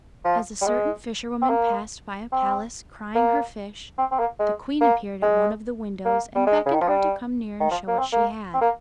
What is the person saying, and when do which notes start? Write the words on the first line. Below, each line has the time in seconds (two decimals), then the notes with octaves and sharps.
As a certain fisherwoman passed by a palace crying her fish, the Queen appeared at one of the windows and beckoned her to come near and show what she had.
0.25 F3
0.61 G3
0.66 G#3
1.42 C4
1.49 A#3
2.32 C4
3.15 A#3
3.98 C4
4.11 C4
4.19 A#3
4.40 G#3
4.81 A#3
5.22 G#3
6.05 A#3
6.35 G3
6.47 G#3
6.66 C#3
6.74 D#3
6.81 F3
6.88 G3
7.60 D#3
7.71 F3
7.88 A#3
7.99 C4
8.12 A#3
8.54 C4
8.61 A#3